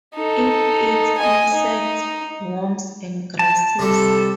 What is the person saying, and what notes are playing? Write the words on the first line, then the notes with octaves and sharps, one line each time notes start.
It eats insects, worms and grasses.
D#4 A4
D#5 G#5
D#4
A5
C3 G3 A4